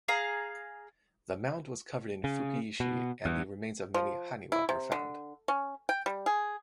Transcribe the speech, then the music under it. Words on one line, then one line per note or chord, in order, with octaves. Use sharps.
The mound was covered in "fukiishi" and the remains of many "haniwa" were found.
G#4 F5 A#5
C#3
B2
E2
F3
E4
C3
D3
C#4
G5
G3
G#4